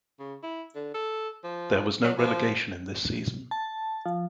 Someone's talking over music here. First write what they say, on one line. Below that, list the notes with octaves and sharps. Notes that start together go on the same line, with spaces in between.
There was no relegation in this season.
C#3
E4
D3
A4
F3
F#3
F3
A5
F3